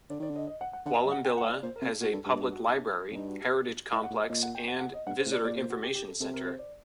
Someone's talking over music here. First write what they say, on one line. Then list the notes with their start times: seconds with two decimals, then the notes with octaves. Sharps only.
Wallambilla has a public library, heritage complex and visitor information centre.
0.10 D3 D5
0.20 D#3 D5
0.30 D3
0.36 D#5
0.47 D#5
0.61 F#5
0.73 F#5
0.86 D3 F#5
0.98 D#5
1.05 F#2
1.12 F#5
1.25 G5
1.37 F#5
1.43 A2
1.49 D5
1.63 A#2 C5
1.76 A#4
1.82 C3
1.88 A4
2.00 A#2 F#4
2.13 G2 A4
2.26 G2 G4
2.39 F#4
2.52 F#4
2.65 D#4
2.77 D4
3.11 F#2
3.15 G2 D#4
3.28 F#4
3.41 G4
3.92 A2 D#5
4.04 F#5
4.11 A2
4.17 D#5
4.29 A#2 D#5
4.43 F#5
4.55 G5
4.68 F#5
4.80 F#5
4.94 D#5
5.06 G2 F#5
5.19 C5
5.25 A2
5.32 D5
5.45 A#2 D5
5.57 C5
5.70 F#4
5.83 G4
5.95 G4
6.08 A4
6.20 C3 A4
6.34 A#4
6.47 C5
6.59 D5